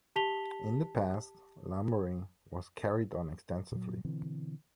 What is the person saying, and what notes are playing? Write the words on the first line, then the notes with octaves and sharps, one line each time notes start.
In the past, lumbering was carried on extensively.
G4 A5 B6 F7 G7
A#2 F#3
B2 D3 E3 C4